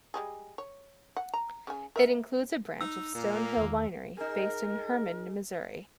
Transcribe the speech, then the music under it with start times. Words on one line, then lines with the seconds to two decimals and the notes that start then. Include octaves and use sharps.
It includes a branch of Stone Hill Winery, based in Hermann, Missouri.
0.14 G3 G#3 G#4
0.58 C#5
1.17 F#5
1.34 A#5
1.67 C#3 G#5
1.96 A#4 E5
2.81 D#4 E6
3.15 A#2 A#3
3.57 E2 D#3
4.17 D#4 G#4 A#4